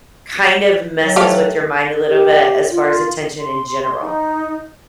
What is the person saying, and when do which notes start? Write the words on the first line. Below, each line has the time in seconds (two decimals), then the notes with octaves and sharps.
kind of messes with your mind a little bit, as far as attention in general.
1.04 F#3
1.16 A3 G4 F5
2.09 G4
2.68 F4
3.39 C6
4.01 D#4